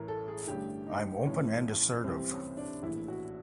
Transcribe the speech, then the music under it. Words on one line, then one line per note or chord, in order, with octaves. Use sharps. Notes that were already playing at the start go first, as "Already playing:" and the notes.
I'm open and assertive.
Already playing: A1 A2 E3 A#4
A4
G#4
A1 G2 D3 G4
D#4
B1 A2 E3 C#4
C2 C3 E3 C4
C#4
D4
A#1 A2 E3 E4
F#4